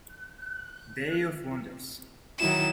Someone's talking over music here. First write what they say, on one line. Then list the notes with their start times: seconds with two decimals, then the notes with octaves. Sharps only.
Day of wonders!
2.40 D#3 F#3 E4 E7